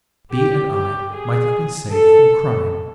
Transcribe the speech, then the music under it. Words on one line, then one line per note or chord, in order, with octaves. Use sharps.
B. and I might have been saved from crime.
G4
G4
G#4
A4